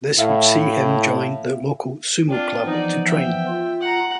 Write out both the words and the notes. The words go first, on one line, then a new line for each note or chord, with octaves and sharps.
This would see him join the local sumo club to train.
A2 E4 E5 F5
C4 D4 F4
E3 F3 B3 D#4 D5
E5 G5
F4
F#5 A#5